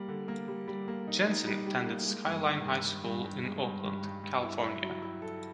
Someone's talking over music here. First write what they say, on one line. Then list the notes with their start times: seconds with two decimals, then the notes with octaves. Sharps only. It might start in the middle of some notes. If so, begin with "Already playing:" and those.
Jensen attended Skyline High School in Oakland, California.
Already playing: G3 A#3
0.08 D3
0.28 A#3
0.48 G3
0.68 G3
0.88 A#3
1.08 D#4
1.27 D#4
1.47 G3
1.67 G3
1.86 A#3
2.06 G#3
2.26 G2
2.45 D#3
2.65 G2
2.85 G2
3.05 G2
3.25 G2
3.44 G#3
3.64 G2
3.84 G2
4.04 G2
4.24 G2
4.43 E4
4.63 E4
4.83 F#3
5.02 E4
5.22 A4